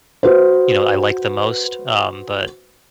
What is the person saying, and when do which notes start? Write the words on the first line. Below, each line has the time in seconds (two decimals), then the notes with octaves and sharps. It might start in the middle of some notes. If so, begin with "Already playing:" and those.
you know, I liked the most. Um, but
0.23 F#4 B4 C5